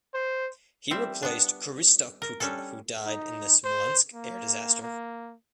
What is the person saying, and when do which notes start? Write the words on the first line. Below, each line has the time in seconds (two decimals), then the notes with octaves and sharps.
He replaced Krzysztof Putra who died in the Smolensk air disaster.
0.14 C5
0.91 G3 C4 E5
1.23 B3 D4
2.22 A#4
2.40 G3 C#4 D4 A4
3.05 D#4
3.65 C5
4.14 A#3
4.82 A#3